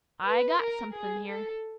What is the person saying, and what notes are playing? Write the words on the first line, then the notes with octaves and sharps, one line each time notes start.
I got something here.
B4
A#4
G#4
A4